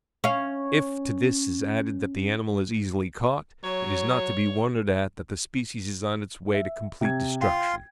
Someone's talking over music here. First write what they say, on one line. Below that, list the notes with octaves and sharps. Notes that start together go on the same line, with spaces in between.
If to this is added that the animal is easily caught, it is not to be wondered at that the species is on its way to complete destruction.
C#4 F5
F#3 C#5
E5
C3 G#6
F4 F5 G5 C6